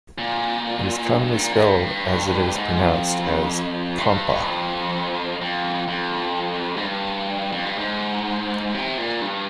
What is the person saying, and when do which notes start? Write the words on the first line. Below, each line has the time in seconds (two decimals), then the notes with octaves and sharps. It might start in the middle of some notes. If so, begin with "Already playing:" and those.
It is commonly spelled as it is pronounced as "kompa".
0.18 A#2
1.13 G2
1.37 A#2
1.52 F2
1.60 G2
2.56 G#2
2.80 F2
3.98 G2
4.46 F2
5.41 F2
5.88 F2
6.77 G#2
6.83 G2
7.52 F2
7.65 G2
7.78 G#2
8.74 C3
8.98 A#2
9.22 G2